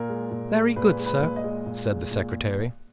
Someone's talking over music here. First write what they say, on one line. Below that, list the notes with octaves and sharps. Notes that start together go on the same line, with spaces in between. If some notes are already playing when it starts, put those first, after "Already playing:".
"Very good, sir," said the secretary.
Already playing: A#2 A#4
G#3
A#2
G#3
A#2 B4
G#3
B4
A#2
D#5
G#3
A#2
G#3
A#2